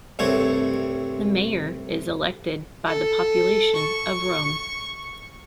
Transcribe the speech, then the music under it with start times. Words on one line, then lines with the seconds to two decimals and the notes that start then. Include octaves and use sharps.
The Mayor is elected by the population of Rome.
0.19 C2 G2 A3 C4 C#5 C#6
2.86 A4
3.75 C#6